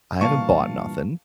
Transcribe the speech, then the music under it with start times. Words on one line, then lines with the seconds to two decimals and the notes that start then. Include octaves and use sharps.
I haven't bought nothing."
0.21 G2 A#2 E3 F5 A5 C#6